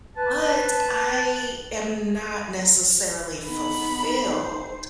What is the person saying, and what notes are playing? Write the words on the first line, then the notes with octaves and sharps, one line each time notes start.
but I am not necessarily fulfilled.
B4 A5
B3 D#4 B5
C5